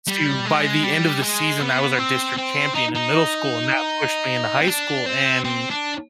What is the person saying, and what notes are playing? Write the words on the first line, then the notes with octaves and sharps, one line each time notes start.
to by the end of the season, I was our district champion in middle school, and that pushed me into high school and
G3
G#3
G3
G#3
B3
C4
C4
D#4
D#4
C4
D4
C4
C4
D4